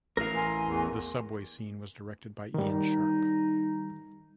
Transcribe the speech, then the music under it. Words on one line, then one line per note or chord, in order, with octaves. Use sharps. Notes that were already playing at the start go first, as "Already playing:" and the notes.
The subway scene was directed by Ian Sharp.
A1 E3 A#4 F5
G#5 C6
E2
D#3 G3 D#4